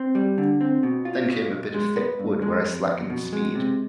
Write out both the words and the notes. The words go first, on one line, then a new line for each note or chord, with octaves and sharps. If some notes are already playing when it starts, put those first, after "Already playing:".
Then came a bit of thick wood where I slackened speed.
Already playing: C4
G3
D3
C4
B2
F4
B2
B1
G#3
B3
G2
G#3
F2
F2
B2
G#3
C3